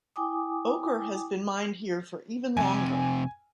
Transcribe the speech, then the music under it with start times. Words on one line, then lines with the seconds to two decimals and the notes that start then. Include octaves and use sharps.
Ochre has been mined here for even longer.
0.16 E4 G5 G#5 D6 D#6
2.57 F2 C3 G#5